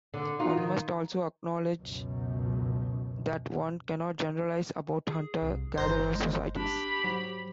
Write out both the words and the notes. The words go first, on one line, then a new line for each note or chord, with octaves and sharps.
One must also acknowledge that one cannot generalize about hunter-gatherer societies.
D3
D#4 F4 F#4
D#3
C#2 F#2 B2
G#4
C2
G1 C5 A#5
G#3
D4 G4 B5
G#2 F#3